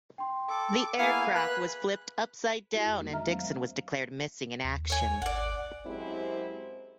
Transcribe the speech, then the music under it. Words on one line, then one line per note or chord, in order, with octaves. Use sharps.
The aircraft was flipped upside down and Dickson was declared missing in action.
G5 C6
A4 D6
A#3 B3 E4 G#4 F5 G#5 G#6
B4 B5 F#6
G#3 E4 F#4 G4
F2
D#3 G3 G#3 A#3 D#4 A#4
D#5 E5 A#5 F6
F#3 A3 B3 C#4 C5 F5
D#2
C#5 G#5
G#1 D5 F#5
F#2 G#3 C4 E4 G4 C5